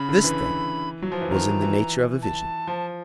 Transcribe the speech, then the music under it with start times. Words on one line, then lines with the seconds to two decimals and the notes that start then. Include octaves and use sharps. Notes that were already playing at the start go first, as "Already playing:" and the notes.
This, then, was in the nature of a vision.
Already playing: C#3 B5
0.09 D3
0.24 E3
1.02 F#3
1.12 F3
1.21 E3
1.31 D#3 A#5
1.61 E3
2.22 A5
2.67 F3